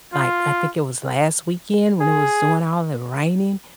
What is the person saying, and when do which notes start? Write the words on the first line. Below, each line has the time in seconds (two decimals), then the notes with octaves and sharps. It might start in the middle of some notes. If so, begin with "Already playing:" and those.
like, I think it was last weekend when it was doing all the raining?
0.13 F4
2.01 G#4